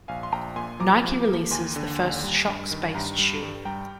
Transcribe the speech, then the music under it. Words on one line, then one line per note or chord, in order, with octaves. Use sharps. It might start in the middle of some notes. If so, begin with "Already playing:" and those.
Nike releases the first Shox based shoe.
A#1 F5 G#5
C6
A#1 G5 A#5
A#2 G#5 C6
F3 A#5 D6
F3
A#3
D#2 G#5 C6
D3
D#2
G3
G2
D#3
G2 G5 A#5
G3
G2
G3 G5 A#5